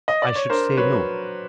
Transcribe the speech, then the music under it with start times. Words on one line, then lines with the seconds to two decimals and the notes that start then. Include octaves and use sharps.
"I should say no."
0.08 D#5
0.22 D5
0.35 C#5
0.50 D4 A#4 C5
0.77 F#3 B4 C#5